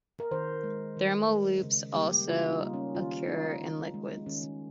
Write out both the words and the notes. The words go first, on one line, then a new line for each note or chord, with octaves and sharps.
Thermal loops also occur in liquids.
A#4
D#3 C5
G#3
D#3
G#3
C#3
G3 A#3 G4
C#3 F4
D#4
G3 A#3
C#4
D#3 F4
G#3 D#4
D#3
G#3
D#3 C#4